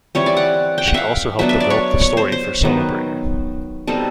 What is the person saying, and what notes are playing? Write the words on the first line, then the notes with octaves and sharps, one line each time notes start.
She also helped develop the story for "Soma Bringer".
E3 G3 C4 C#5
D5
F#5
G5
F#5
E5 F5
F#3 B3 D4 E5
E5
D5
C#5
C#5
C5
C5
D#3 F#3 B3
B2 G3 C4 D#4 A4